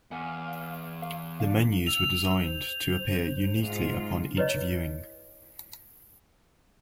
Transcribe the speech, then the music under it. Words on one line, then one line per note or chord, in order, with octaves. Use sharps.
The menus were designed to appear uniquely upon each viewing.
E2 F5 F#5 G#5
F5
D4 F5
E6 F7
C5
G#2 F4
E4 B4 C#5 D#5